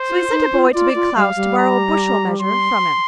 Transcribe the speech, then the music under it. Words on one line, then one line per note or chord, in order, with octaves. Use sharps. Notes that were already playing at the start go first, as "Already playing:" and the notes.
So he sent a boy to Big Klaus to borrow a bushel measure from him.
Already playing: C5
F4
D#4
F4
F4 D5
F4
G3 F5
G3
A#5
C6